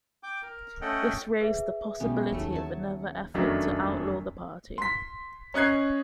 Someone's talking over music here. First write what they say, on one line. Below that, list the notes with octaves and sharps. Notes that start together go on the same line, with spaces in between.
This raised the possibility of another effort to outlaw the party.
G5 D6
A#4
A3 C#4 A4 D#5 F#5 G5
G#4 B4 E5
B1 B2 G3 B3 C#4 G5
D#2 C#3 F#3 A3 C#7
G#5 A5
F1 F#2 D#3 F#3 A3 D4
C6 B6
C#4 D#5 F#6 G#6 C7